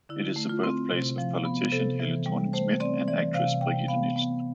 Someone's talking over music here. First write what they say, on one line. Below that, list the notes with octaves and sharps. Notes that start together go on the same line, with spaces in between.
It is the birthplace of politician Helle Thorning-Schmidt and actress Brigitte Nielsen.
D3 E4
A3
F4
C4
C3
F3
B3
C3 A4
E3
G3
A3 C5
C4 D5
E3 D5
C3 F5
C3 G5
B3 F5
B3